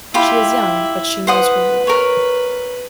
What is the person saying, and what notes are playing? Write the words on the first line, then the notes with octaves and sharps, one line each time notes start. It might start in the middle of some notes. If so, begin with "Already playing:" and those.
She is young, but she knows her world.
E4 F4 G4 B5
B4 C5 F#5 D#6
A#4 C#5